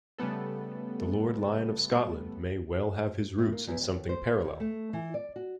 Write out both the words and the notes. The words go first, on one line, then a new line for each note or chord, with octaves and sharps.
The Lord Lyon of Scotland may well have his roots in something parallel.
C#3 G3 A3 B3 A4
A2
A#3
E2
D#2
C5
D#2
A3
E3
D5
F#4